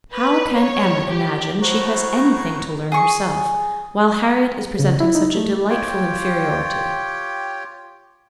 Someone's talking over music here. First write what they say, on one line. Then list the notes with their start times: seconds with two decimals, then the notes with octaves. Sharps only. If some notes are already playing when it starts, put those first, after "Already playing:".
How can Emma imagine she has any thing to learn herself, while Harriet is presenting such a delightful inferiority?
0.12 B4
0.56 C#5
1.10 G4
1.61 A2 F#4 C5 A#5
2.92 G#4 C#6
4.79 C#3
5.00 E4
5.15 D#4
5.37 A3
5.70 F4 G4 C#5 G5